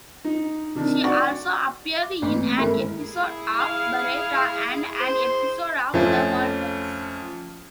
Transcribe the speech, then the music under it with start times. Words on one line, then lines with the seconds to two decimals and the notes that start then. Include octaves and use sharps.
She also appeared in an episode of "Baretta" and an episode of "The Waltons".
0.25 D#4
0.75 C3 D#3 D4
1.04 F#4 D5 C#6 D6
2.02 D6
2.22 A1 A#3 C4 B4
2.57 G2 D#3 G#3 E4 A4 A#4
2.99 E4 G#4
3.60 F5
5.00 C5
5.94 F2 F3 A3 C#4 F4